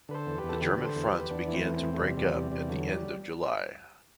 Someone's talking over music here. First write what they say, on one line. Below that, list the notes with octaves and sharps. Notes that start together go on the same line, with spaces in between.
The German front began to break up at the end of July.
D3 B4
A4 C5
E2
G4 B4
E2
A4
D3 G4 B4
D3
A4 C5
E2
G4 B4
E2
E2 B3 D4
E3
A3 C4
E2
A3 C4
E2
A3
C3 G3
E2 G3
C3 G3
E2 G3
D3 F#3
G3